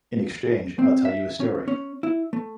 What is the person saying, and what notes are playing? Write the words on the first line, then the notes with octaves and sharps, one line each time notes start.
In exchange, I'll tell you a story.
C4
E5
C#4
C#4
E4
A3